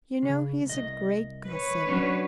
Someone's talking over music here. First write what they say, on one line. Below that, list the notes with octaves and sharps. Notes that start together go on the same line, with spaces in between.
You know he is a great gossip.
C#3
C2 D#5
B4 C#5
F#3 C#4 D4